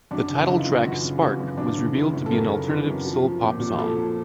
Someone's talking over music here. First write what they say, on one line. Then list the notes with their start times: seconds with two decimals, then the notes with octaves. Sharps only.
The title track "Spark" was revealed to be an alternative soul pop song.
0.11 F#2 D4
0.29 C#3
0.36 E4
0.42 D#4
0.47 E3 E4
0.59 F4
0.66 F#2
0.84 F#2 F#4
1.02 C#3
1.22 E3 F#4
1.40 F#2
1.57 F#2 D4
1.76 C#3
1.94 E3 E4
2.13 F#2
2.26 A4
2.31 F#2 A#4
2.49 C#3
2.68 E3
2.86 F#2
3.05 F3
3.23 F3
3.42 A#2
3.60 A#2
3.78 F3 A4
3.96 F3